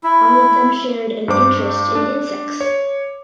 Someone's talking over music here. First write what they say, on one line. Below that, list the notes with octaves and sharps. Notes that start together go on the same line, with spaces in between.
All of them shared an interest in insects.
E4
G2 C5 D6
D4
C#5